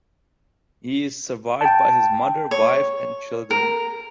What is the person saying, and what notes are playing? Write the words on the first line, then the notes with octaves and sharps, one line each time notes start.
He is survived by his mother, wife and children.
G5 A5
C#5
A#4